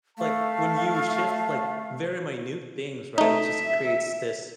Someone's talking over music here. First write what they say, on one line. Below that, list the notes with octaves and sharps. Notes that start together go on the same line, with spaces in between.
like, when you shift, like, very minute things, right, it just creates this,
A3 F5 A5
A3 D#4 E5